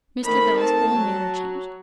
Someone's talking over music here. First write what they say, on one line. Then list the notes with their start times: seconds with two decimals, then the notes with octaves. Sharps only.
Mr. Bell's whole manner changed.
0.24 D#3 A3 C4 B5
0.59 A5
0.94 F#3